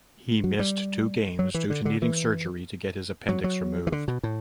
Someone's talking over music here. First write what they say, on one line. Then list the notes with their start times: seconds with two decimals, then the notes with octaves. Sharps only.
He missed two games due to needing surgery to get his appendix removed.
0.44 F#3
0.60 G3
1.39 F#3
1.54 E3
1.70 D3
1.85 D3
2.02 E3
3.29 F#3
3.44 F#3
3.87 E3
3.92 D3
4.08 B2
4.23 A2